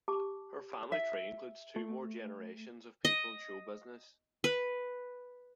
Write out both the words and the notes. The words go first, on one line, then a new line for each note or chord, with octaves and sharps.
Her family tree includes two more generations of people in show business.
G4 A5 D6
E5
A3
D#5
B4